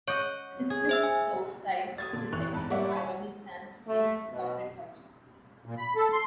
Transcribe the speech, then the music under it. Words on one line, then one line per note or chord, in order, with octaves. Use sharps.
His thrift store style also reflected an ironic stance against corporate culture.
C#5 D#5 F#5 C#6 G6
G#4
C5 E5 E6
G#5
D#6 G#6 A6
A#2 D3 D4
A1 E3 C#6 F#6 F7
E2 G#2 A5 B5
G3 A#3 C#5 D5 E5 F#5
G#5 A5 C#6
A3
B2
A#2
B5
A4
C6